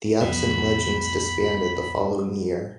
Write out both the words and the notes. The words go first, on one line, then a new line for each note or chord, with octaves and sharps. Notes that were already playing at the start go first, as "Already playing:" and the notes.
The Absent Legends disbanded the following year.
C2 F2 B2 F#3 B5